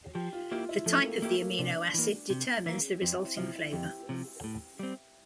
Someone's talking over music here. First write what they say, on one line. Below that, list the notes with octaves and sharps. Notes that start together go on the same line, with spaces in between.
The type of the amino acid determines the resulting flavor.
F3 G4
F4
A#3 E4 F4 G4
E4
F3 A3
A#3
A3 A#3 E4 G4
A#3
C3 D4
E3 A#3
C3
E3 A#3
F2 C4
E4
C3 F3 E4
E4
F2 G4
C3 F3
A2
G3 C4